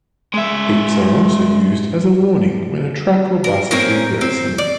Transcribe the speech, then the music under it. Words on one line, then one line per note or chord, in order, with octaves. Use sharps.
Beeps are also used as a warning when a truck or bus is reversing.
G#3 E5
A#4
A#3 C4 C#4 A#4
C4
D5